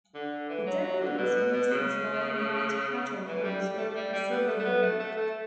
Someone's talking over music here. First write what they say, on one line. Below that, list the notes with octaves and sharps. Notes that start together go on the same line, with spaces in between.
The deputies mostly drive marked patrol cars with the city logo.
D3
E3
F#3
F#3
D3
B2
B2
B2
C#3
E3
A3
G3
G3
A3
A3
G3
G3
B3
A3
A3
B3
A3
A3
A3